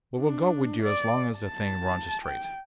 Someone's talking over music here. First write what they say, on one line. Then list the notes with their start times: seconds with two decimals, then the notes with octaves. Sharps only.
We will go with you as long as the thing runs straight.
0.20 D4
0.83 D5
1.39 A5
2.25 G5